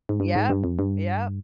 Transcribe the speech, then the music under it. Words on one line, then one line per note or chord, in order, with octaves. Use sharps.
yup, yup.
G#2
G2
G#2
G2
F2
G2